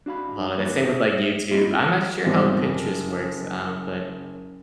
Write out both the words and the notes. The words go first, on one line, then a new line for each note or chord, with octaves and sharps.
a lot of the same with, like, YouTube. I'm not sure how Pinterest works, um, but
D4 F#4 F5 B5
F2 D#3 A#3 F#4 B4 C#5
G#4 C5 E5
A#3 C4 C#4 E4 F4 D#5
E2 G#2 C3 D#3 F3 G3
F#1